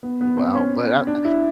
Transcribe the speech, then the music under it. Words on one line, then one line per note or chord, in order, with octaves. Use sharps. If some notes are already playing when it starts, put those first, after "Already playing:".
wow, but, ah
B3
B3
C4
C#4
D4
E4